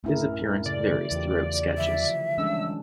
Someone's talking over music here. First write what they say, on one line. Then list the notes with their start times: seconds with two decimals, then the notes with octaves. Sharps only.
His appearance varies throughout sketches.
0.04 F#2 A2 A3 C#4 E4 A#4
0.66 C#3 D5
1.11 E2 E3 F4 G4
1.78 D3 F3 E5
2.38 E3 G3 G#3 C#4 D4 E6